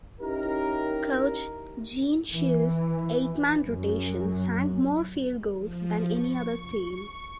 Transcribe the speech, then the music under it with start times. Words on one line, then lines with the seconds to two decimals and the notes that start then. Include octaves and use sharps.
Coach Gene Shue's eight-man rotation sank more field goals than any other team.
0.21 C#4 D#4 E4 G4 A#4
2.32 E3
3.63 F#2
5.58 F3
6.11 C#6